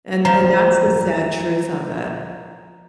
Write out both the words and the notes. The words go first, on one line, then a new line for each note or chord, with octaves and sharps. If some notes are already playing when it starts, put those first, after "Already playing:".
and and that's the sad truth of it.
F3 A#5